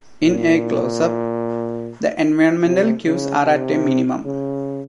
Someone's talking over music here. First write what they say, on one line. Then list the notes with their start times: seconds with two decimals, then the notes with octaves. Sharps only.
In a close up, the environmental cues are at a minimum.
0.24 A#2
2.65 C3
3.05 C#3
3.45 C3
4.26 C#3